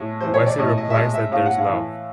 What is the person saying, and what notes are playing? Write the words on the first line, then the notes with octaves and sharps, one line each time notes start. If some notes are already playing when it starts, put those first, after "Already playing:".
Wesley replies that There's love.
Already playing: A2 G#3
E3 C5
C#5
D5
A2 D#5
D#5
E5
G#3 D#5
E5
A2 F5
F#5
F5
E3